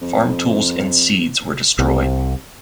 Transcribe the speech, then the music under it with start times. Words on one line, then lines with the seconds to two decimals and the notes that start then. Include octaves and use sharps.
Farm tools and seeds were destroyed.
0.02 F2
1.79 C2 C3